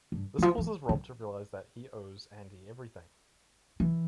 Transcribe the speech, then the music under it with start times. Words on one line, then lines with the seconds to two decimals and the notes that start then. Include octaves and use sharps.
This causes Rob to realise that he owes Andy everything.
0.12 G2
0.39 E3
0.42 F3
0.58 E3
0.89 D3
3.80 E3